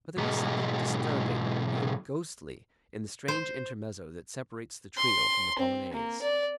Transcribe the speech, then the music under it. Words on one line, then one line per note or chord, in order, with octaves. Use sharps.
But there is something disturbing, even ghostly, in the strange intermezzo that separates the trio from the polonaise.
B1 G#2
C5
C6
C4
A#3
D5